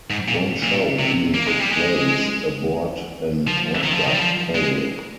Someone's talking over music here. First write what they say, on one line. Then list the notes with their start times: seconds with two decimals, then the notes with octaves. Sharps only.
One show even took place aboard an aircraft carrier.
0.10 G#2
0.28 A#2
0.63 A#2
0.99 C3
1.34 A#3
1.47 G#3
1.60 G3
1.72 G#3
3.47 F3
3.83 D#3
3.94 F3
4.06 D#3
4.14 G3
4.19 F3
4.55 G#3